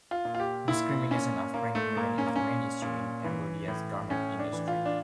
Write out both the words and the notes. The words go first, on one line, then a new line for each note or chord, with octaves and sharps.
Discrimination of pregnant women is the main issue in Cambodia's garment industry.
F4
A#2
F4
G4
A#2 E4
A#2 C#4
A#2 A#3
A3
A#2 A#3
C#4
A#3
A#2 C#4
A#2
E3
A2
A2 C#4
D4
E3
F4
D4